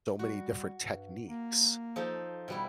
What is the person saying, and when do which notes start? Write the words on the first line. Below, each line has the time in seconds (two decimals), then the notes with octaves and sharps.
so many different techniques
0.19 G3 F#4
0.78 G2
1.28 A#3
1.96 F3 D#4 A4
2.48 B2 G3 E4